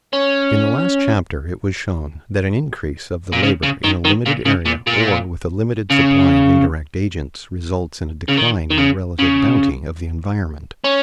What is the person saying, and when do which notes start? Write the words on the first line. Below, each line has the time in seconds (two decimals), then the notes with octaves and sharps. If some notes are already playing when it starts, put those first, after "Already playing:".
In the last chapter it was shown that an increase of the labor in a limited area or with a limited supply of indirect agents results in a decline in the relative bounty of the environment.
0.13 C#4
3.33 A#2
3.43 C#3
3.63 C#3
3.84 D#3
4.05 D#3
4.26 A#2
4.45 C#3
4.66 A#2
4.87 A#2
5.90 C#3
8.28 C#3
8.37 D#3
8.70 D#3
8.78 C#3
9.19 C#3
10.84 C#4